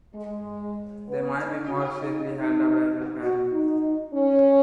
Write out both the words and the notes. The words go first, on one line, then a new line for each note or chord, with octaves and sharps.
They might be more safely held up as a pattern.
G#3
B3
D#4
F#4
D#4
D#4
F#4
D#4
C#4